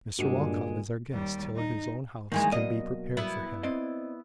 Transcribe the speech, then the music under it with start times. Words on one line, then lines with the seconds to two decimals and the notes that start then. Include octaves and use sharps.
Mr Walcot is our guest till his own house can be prepared for him.
0.19 G2 A#2 D3 G#3 F#4
1.12 D#2 G3
1.56 D#4
2.32 D#3 E3 G#3 A#3
2.52 B2 F#3 A#3 D#5
3.17 B3 E4
3.63 C4 D5 D#5